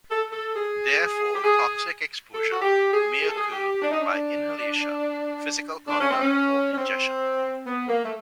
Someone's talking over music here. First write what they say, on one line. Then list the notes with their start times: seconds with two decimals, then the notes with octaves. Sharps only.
Therefore, toxic exposure may occur by inhalation, physical contact, or ingestion.
0.10 A4
0.31 A4
0.56 G#4
1.34 G4
1.44 G#4
2.33 A4
2.52 F#4
2.62 G4
2.92 G#4
3.22 G#4
3.28 A4
3.36 G#4
3.51 G4
3.81 D4
3.91 D#4
4.01 D4
5.88 D4
5.99 C#4
6.11 C4
6.21 C#4
6.72 C#4
6.76 C4
7.66 B3
7.88 A#3
8.04 A3